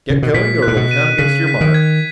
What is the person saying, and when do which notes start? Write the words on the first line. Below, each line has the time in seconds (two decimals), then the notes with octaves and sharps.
"Get going or it'll count against your mark!"
0.10 C#3
0.23 B2
0.34 A#2 B6
0.62 A#2 F#6
0.77 B2
0.91 D#7
1.18 C#3 B6
1.47 B6
1.61 D#3
1.74 G#6